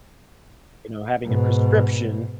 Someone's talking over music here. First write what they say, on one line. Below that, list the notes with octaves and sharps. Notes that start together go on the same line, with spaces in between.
you know, having a prescription,
G#2 B2